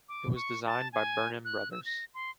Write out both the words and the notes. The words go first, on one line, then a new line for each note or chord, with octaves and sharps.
It was designed by Burnham Brothers.
D6
C#6
A5
G#5
F#6
E6
A#6
C6